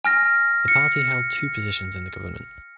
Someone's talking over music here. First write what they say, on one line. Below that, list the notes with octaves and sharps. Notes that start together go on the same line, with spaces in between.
The party held two positions in the government.
G#5 F6 A#6
C#7